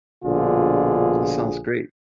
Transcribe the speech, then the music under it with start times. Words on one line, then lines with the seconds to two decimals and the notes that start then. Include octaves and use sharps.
That sounds great.
0.24 A#1 B2 D3 F4 G#4